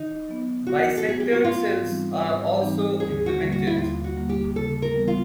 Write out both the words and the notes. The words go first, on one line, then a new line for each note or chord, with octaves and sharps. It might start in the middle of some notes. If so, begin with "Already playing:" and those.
Bisectored cells are also implemented.
Already playing: D#3 D#4
F#3 B3
D#3 F#4
A4
F#3 B3 G#4
G4
F#4
G#2 F4
E3 G3 C4 D#4
G#2
E3 G3 C4 D#4
D#2 G#4
F#4
D3 G3 A#3
F#4
E4
D#2 F4
F#4
D3 G3 A#3
G4
C#3 A4
A#4
E3 G3 B3
F4